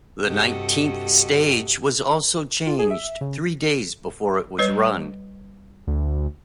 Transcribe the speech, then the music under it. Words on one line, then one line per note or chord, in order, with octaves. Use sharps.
The nineteenth stage was also changed three days before it was run.
G2 C3 F#4 G4 A4 D#5
F4
G#4
E5
C#3
G3 B4 C#5
D2